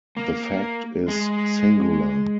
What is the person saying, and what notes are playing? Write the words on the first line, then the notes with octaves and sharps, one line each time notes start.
The fact is singular.
A#3
G#3